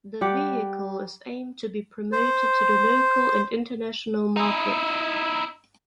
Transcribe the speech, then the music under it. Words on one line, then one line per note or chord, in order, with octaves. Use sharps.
The vehicle is aimed to be promoted to the local and international market.
G3 G4 F#5
C5
D#4 E4